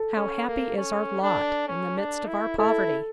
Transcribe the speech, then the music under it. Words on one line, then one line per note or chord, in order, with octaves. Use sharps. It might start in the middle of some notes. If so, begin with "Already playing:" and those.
How happy is our lot in the midst of our poverty!
Already playing: A4
C#4
A#3
C#4
D4
C#4
D4
E4
E4 A4